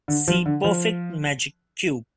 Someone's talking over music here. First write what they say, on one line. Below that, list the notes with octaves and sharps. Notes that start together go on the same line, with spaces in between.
See Perfect magic cube.
D3
F3
D3
F3